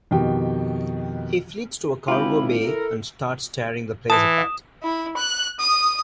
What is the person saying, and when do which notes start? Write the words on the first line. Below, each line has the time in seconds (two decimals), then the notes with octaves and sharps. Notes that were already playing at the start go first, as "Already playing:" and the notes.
He flees to a cargo bay and starts tearing the place apart.
0.11 F2 B2 D#3 G4 G5
2.08 G#1 E4 F4 G4 B5
2.64 E4 A4 A#4
4.10 E3 A5 D#6 E7
4.83 E4
5.16 F#6
5.59 D#6